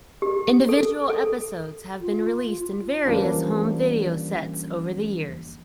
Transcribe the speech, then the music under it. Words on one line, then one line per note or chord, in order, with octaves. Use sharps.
Individual episodes have been released in various home video sets over the years.
G4
A4
A4
F4
E3 F3 G3 A#3 C#4 D4